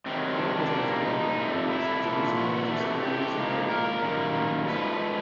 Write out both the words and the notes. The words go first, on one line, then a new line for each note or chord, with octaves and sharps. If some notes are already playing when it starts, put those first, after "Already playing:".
One of his most notable pupils was musicologist and music critic Edward Holmes.
C3 D#3 F#3 C4
C4
D4
A#2 G3 A#3
D#4
F2 C3 F3 A3
E4
A#2 F3 A#3
F#4
C3 E3 A3
G4
G#2 F3 A#3
A#4
F#2 D#3 G3 A#3
G#2 F3 A3 B4